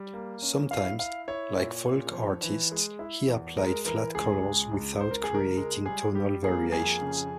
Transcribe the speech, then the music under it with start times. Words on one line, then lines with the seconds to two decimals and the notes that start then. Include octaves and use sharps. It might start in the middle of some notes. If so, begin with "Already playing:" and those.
Sometimes, like folk artists, he applied flat colors without creating tonal variations.
Already playing: G3
0.13 A#3
0.42 C#4
0.71 E4 F5
0.99 E4 F5
1.28 E4 C#5
1.57 A#2
1.86 A#2
2.13 F3
2.43 E3
2.72 G#3
2.99 E4
3.28 E2
3.57 G#3 A#4
3.85 E3 A#4
4.15 C#2 G#4
4.43 G#3
4.71 C#2
5.00 C#2 C5
5.11 A#4
5.24 G#4
5.29 C#2
5.35 A#4
5.57 G#3
5.86 G3 G#4
6.15 G3 G4
6.43 A#3 G#4
6.72 F2 G#4
7.01 C#3